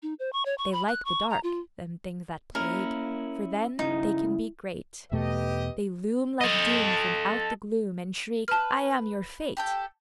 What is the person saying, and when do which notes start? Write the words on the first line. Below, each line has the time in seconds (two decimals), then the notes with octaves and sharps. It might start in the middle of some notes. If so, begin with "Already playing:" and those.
They like the dark, them things that plague, For then they can be great, They loom like doom from out the gloom, An' shriek: "I am your Fate!"
0.03 D#4
0.19 C5
0.33 C#6
0.46 C#5
0.58 C#6
0.72 B5
0.88 F#6
1.05 C#6
1.30 A#5
1.43 F4
2.55 A#3 C#4 E4 A#4
3.79 G2 C#3 D#4 E4
5.12 E2 B2 A3 G4 B4 D#5
6.41 A4 D#5
8.48 B4 A5 F6
9.57 G4 A4 G5